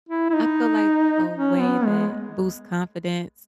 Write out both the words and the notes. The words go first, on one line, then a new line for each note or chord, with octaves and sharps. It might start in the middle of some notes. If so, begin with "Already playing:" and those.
I feel like a way that boosts confidence
E4
E4
D#4
C#4
B3
G#3